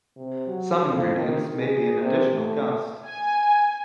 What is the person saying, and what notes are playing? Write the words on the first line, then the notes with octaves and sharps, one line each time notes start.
Some ingredients may be an additional cost.
C3
F#3
F2
D#3
G#4
C3
A3
G#5